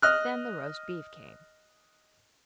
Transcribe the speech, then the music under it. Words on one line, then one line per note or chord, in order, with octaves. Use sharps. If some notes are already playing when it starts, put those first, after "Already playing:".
Then the roast beef came.
D#5 F6 F#6